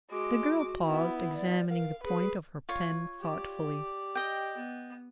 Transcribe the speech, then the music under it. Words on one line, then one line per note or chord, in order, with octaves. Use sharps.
The girl paused, examining the point of her pen thoughtfully.
G#3 F#4 D6
B3 E4
D5
A#4 F5
G#4 B4
F4 C#5
G4 D5
D#5 G5
B3